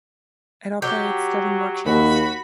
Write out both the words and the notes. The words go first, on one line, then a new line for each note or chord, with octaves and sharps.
It operates seven workshops.
F#3 G4
D#2 F#4 B5